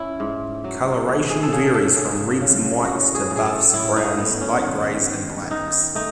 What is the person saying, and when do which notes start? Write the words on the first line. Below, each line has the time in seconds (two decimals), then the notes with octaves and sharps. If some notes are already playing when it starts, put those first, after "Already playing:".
Colouration varies from reds and whites to buffs, browns, light greys, and blacks.
Already playing: C#4 E4
0.20 G#2
0.64 F#3
1.08 A3
1.30 G#4
1.43 A4
1.52 C#3 G#4
1.74 A4
1.96 C#3 G#4
2.41 C#3
2.85 A2 F#4
3.15 G#4
3.30 A2
3.36 G#4
3.45 A4
3.74 A2 E4
3.96 D#4
4.18 B3
4.41 C#4
4.62 D#3
5.06 D#3
5.51 D#3 D#4
5.95 A3 D#4